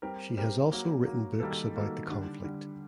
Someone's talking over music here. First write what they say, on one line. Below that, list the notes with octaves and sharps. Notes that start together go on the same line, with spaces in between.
She has also written books about the conflict.
G3 C4 G4 A#4
G3 C4 G4 A#4
F#3 A#3 F#4
F#3 A#3 F#4
D#3 G3 A#3 F#4 A4
D#3 G3 A#3 F#4 A4
D3 G3 D4
D3 G3 D4